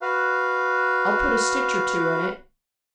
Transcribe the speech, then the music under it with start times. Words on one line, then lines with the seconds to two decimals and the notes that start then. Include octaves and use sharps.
I'll put a stitch or two in it.
0.02 F#4 B4 F5